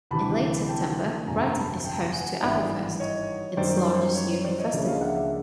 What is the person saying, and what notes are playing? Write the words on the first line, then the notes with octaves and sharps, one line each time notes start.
In late September, Brighton is host to Applefest, its largest yearly festival.
D2 C3 E3 A5 B5
G5 A5
G1 F2 C3 G#5 A#5
A5 B5
A#5
G5 A5
F#5 G#5
G#1 G2 E3 G3 D5 E5
C#5 D#5
F#2 D#3 G3 C5 D5
C5
C5
C#5
C5 D5
C#5 D#5
C#2 C#3 F3 A#3 D4 D5 E5
D#5 F5
E5 F#5
D5 E5